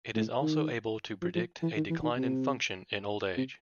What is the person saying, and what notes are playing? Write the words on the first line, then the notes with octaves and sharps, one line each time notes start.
It is also able to predict a decline in function in old age.
A2
D#3
F3
F3
E3
D#3
E3
D#3
C3
C3